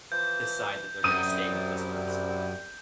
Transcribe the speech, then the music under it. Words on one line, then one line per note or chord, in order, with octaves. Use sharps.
decide that they're gonna stay with this person.
E3 F3 G6
C2 F#2 D#6 D#7